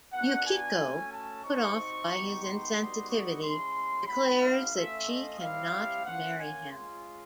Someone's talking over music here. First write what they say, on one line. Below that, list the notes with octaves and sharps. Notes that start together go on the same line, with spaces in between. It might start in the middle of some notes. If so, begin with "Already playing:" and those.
Yukiko, put off by his insensitivity, declares that she cannot marry him.
B3 D4 F#4 F#5
G#5
A3 C#4 F#4
A5
C4 D#4 F#4 C#6
B3 D#4 G4
C6
G3 B3 D#4 F#4
C#6
G#3 C#4 E4 C6
G#3 B3 D#4 F#4 B5
F5
A3 C#4 F4 E5
D#5
G3 C4 E4 G4 F5
A#3 C#4 F4 F#5
G#5
G#3 C#4 F4 C6